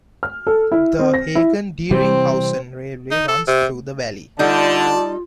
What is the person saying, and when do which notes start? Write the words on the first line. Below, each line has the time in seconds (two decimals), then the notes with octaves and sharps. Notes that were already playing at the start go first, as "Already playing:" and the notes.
The Hagen-Dieringhausen railway runs through the valley.
0.23 F6
0.47 A4
0.72 E4
0.99 C4
1.14 A#6
1.35 E4
1.91 C3 E3 G3 C4
3.11 D#4
3.28 A4
3.48 C3
4.39 D3 G3 D#4 F4 D5 A5